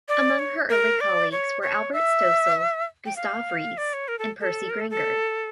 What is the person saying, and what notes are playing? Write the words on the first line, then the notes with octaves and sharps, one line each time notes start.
Among her early colleagues were Albert Stoessel, Gustave Reese, and Percy Grainger.
D5
C#5
A#4
D5
C#5
C#5
E5
G5
F5
D5
C#5
A#4
A4
A4
A#4
A4
A4